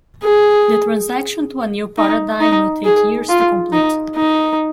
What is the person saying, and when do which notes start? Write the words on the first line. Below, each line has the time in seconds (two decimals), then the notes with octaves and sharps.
The transaction to a new paradigm will take years to complete.
0.23 G#4
1.98 D#4
2.41 D#4
2.85 G#4
3.29 F4
3.73 D#4
4.16 D#4